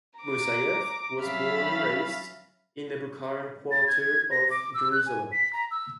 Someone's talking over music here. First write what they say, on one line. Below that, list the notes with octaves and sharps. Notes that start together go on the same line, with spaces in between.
Moussaieff was born and raised in the Bukharan Quarter of Jerusalem.
A#5 D6
F#3 C#4 E5 F5 B5 A6
A6
G#6
A#6
D6
E6
F#6
G#5
B6
A#5
E6